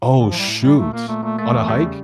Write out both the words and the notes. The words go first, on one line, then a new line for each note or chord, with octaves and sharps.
Oh, shoot. On a hike?
A2 D3
F3
G3 E4
A2
G3 E4
A#2 A3
A#2 A#3
A#2 A3
A#2 A3
A3 A#3
E2
G3
C#3